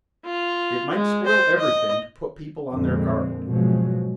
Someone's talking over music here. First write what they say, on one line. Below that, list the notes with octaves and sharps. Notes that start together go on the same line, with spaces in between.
"It might spoil everything to put people on their guard."
F4
G#3
C5
D#5
F2 A#2 D3 G#3 A#3 C4
G#2 B2 F3 F#3 G#3